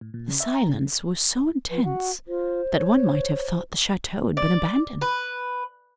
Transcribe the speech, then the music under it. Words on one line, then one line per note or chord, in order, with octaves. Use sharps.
The silence was so intense that one might have thought the chateau had been abandoned.
A2
A#2
C#3
E5
A#5
C#3
F3 B4
F#4 F#5
F4 C5
C#5
D5
B4